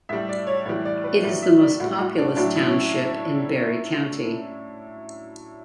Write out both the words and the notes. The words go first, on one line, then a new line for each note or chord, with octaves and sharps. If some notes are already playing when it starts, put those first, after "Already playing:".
It is the most populous township in Barry County.
A2 G3 E5
D5
C#5
A2 E3 G3
D5
B4
A2 F#3 D5
E5
D5
A2 G3 F#4
F#4
D4
A2 F#3 D4
E4
C#4